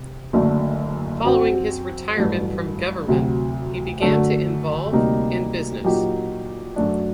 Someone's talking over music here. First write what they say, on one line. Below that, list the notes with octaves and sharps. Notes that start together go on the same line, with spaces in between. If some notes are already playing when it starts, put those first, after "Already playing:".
Following his retirement from government he began to involve in business.
Already playing: C3
F#1 F#2 D3 A3 D4
F#2 F#3 C4 F#4
A1 G2 F#3 A3
D2 C3 F#3
F#2 D3 F#3 A3 D4
D2 C3 G3 A#3 D#4
A#2 F#3 A#3 D#4 G4
F#2 F#3 A3 D4